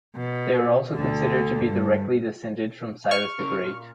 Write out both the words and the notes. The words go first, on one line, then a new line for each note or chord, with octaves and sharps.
They are also considered to be directly descended from Cyrus the Great.
B2
D2 D3
G2
C#6 F6
C#3 C#4 A#4
A#2